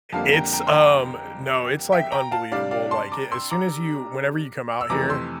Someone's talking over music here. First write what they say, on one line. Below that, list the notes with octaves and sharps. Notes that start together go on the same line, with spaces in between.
It's, um, no, it's, like, unbelievable. Like, as soon as you whenever you come out here
F2 D3 G3 A#3 F5 A5
G5 A#5
G5 A#5
C6
G5 A#5
E5 G5
G5 A#5
F5 A5
C3 G3 D4 D5 F5
D5 F5
A5 C6
A#5 D6
C6 E6
A#5 D6
E6
F2 C3 E3 A3 A#5 D6
C6 E6